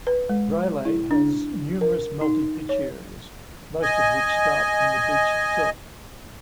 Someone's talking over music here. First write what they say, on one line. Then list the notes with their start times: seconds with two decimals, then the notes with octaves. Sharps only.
Railay has numerous multi-pitch areas most of which start from the beach itself.
0.07 B4
0.29 G#3
0.85 E4
1.11 D4
1.81 A#4
2.21 D#4
2.69 C#5
3.82 D#5 G#5